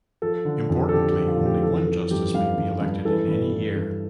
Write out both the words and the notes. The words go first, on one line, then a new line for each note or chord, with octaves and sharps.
Importantly, only one justice may be elected in any year.
F3 A4
D3
F2
A4
D3 G4
G4
F3
F4
F2
G4
E3 A4
E3 A4
G2 G4
G2 F5
G2
G2
E3 A4
G2
E3
G2